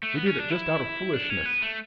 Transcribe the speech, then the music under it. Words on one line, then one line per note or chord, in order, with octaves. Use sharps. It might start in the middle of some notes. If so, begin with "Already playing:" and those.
We did it just out of foolishness.
A3
B3
C#4
D4
E4
D4
C#4
B3
A3